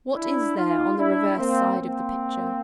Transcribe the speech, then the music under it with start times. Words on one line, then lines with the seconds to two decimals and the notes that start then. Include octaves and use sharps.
What is there on the reverse side of the picture?
0.16 D4 E4
0.56 D#4 F4
0.97 D4 E4
1.38 A#3 C4
1.79 A#3 C4